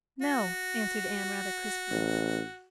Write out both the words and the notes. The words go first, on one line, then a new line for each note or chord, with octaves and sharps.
"No," answered Anne, rather crisply.
F#4
A1